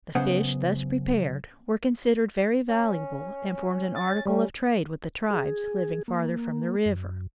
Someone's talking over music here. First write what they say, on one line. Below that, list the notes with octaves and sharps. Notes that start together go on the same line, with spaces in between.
The fish thus prepared were considered very valuable and formed an article of trade with the tribes living farther from the river.
F#2 C#3 B3 C5 F#5
C#4
A6
G3 C#4
G#4
A#3
F#2